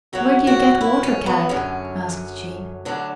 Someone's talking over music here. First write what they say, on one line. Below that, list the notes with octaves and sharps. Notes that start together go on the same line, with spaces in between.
"Where do you get water, Kadok?" asked Jean.
F#2 D3 F#3 F#4
F#4
E4
C#4
B3
F#2 D3 F#3 C#4
D2 D3 F#3 D4